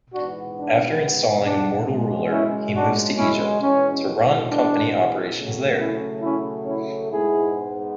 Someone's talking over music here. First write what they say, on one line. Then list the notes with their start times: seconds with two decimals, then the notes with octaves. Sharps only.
After installing a mortal ruler, he moves to Egypt, to run Company operations there.
0.13 G#2 E3 B3 D4 F#4
0.57 D4
1.44 D4
1.87 F#2 C#3 G#3
2.31 C#4 E4
2.74 D4 F#4
3.18 C#4 E4
3.61 E2 B2 G#3 C#4
4.48 D4
5.35 C#3 F#3 A3
5.79 C#4 E4
6.22 C#4 E4
6.66 C#4 E4
7.10 G#2 G#3 B3 E4 G#4